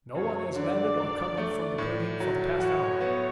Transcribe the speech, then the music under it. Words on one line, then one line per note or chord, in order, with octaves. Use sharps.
No one has landed or come up from the building for the past hour.
F#2 C#5
D3 D5
D4
A3
A2
F#3
F#4 C#5
B3